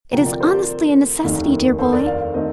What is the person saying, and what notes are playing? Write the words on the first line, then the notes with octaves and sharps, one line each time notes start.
It is honestly a necessity, dear boy.
D2 C3 F3 G5 A#5
A#4 D5
A4 C5
A#4 D5
F1 D#2 D#3 A3
A4 C5
A#4 D5
D5 F5
D#3 A3 C4 C5 D#5